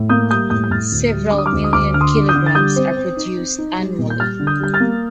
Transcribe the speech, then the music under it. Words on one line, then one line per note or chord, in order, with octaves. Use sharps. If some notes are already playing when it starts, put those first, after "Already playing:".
Several million kilograms are produced annually.
Already playing: A2
A#3 D#6 G6
G3 D#6 G6
A2 D#6 G6
G6
A2 F6 A6
D2
G3
D3 D6
D#6
D6 F6
D2
D#6
D2 D6 F6
D3 F6
C6 D#6
D3
D#6 G6
D3
A6
G3 D#6 G6
C4
C4
D#4
C4
D#4
G3
A#2
G6
G3 F6 A6
D3
D#6 G6
G3 G6
F6 A6
A#3